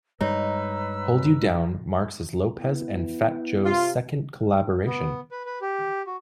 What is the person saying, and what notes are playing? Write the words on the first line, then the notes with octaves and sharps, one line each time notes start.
"Hold You Down" marks as Lopez and Fat Joe's second collaboration.
G2 G3 G#3 D#4 B4 C#5 A#5 E6
B3 E4
C3 F4
B3
B4
B4
G4
F#4